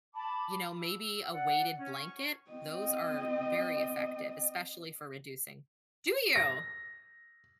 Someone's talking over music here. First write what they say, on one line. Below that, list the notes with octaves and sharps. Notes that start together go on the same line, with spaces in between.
you know, maybe a weighted blanket, those are very effective, especially for reducing Do you?
A5 B5 D6
E6
D5 F#5
C#4
C#6
C4 D#5
A#6